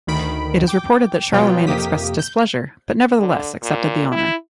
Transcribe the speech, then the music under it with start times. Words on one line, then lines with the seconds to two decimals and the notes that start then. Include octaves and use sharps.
It is reported that Charlemagne expressed displeasure but nevertheless accepted the honour.
0.07 D2 D#3 B5 D7
0.68 G5 D6
1.33 B2 F#3 B3 F4 G5
1.67 F2 C3 A#3 G4 D#6 B6
2.19 G6
3.19 D3
3.63 A#2
4.12 E4